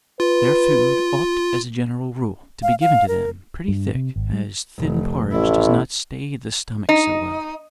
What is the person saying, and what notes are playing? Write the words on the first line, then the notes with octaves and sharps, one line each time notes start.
Their food ought, as a general rule, to be given to them pretty thick, as thin porridge does not stay the stomach so well.
F4 B4
F5
F5
A#4
G2
C3
G#1
G3
F1
A1 E4
D#4